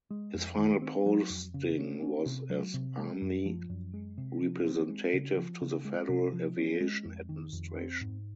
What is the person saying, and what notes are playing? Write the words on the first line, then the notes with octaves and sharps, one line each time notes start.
His final posting was as Army representative to the Federal Aviation Administration.
G#3
F2
D#3
C4
F#3
F2
C#3
C#4
C#4
C3
F#3
C3
G#3
F#2
F3
F#2
G#3
C3
F3
C4
G#3
C#3
F3
C#3
G#3
C3
F3
C#4
G#3
F2
D#3
F2
C4
G#2